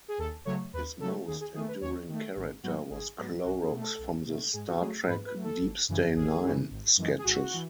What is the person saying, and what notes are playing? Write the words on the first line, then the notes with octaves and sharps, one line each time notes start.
His most enduring character was Clorox from the "Star Trek: Deep Stain Nine" sketches.
G#4
D#2 A4
C#3 F#3 A3 C#5
D#2 B4
C#3 F#3 A3 A4
D#2 G#4
G#4
D#3 A3 G#4
B4
D#2 C#5
D#3 A3
G#1
G#2 F#3 B3 F#4
G#1 G#4
G#2 F#3 B3
B1 F#4
G#4
B2 A3
A4
B1
B2 A3
G#2 G#4
F#4
F#3 A3 G#4
G#2 B4
B4
F#3 A3
A4
G#1
F#2 C#3 E3
G#1 G#4
F#2 C#3 E3
G#1
F#2 E3 G#3
G#4
G#1 F#4
E3